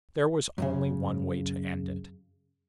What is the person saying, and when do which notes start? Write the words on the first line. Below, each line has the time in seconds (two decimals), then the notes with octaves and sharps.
There was only one way to end it.
0.58 F#2 A2 C#3